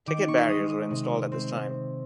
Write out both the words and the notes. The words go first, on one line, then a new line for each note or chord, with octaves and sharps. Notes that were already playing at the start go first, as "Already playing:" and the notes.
Ticket barriers were installed at this time.
D#3 D6
C#6
G#3 D#6
D#6
C3
C4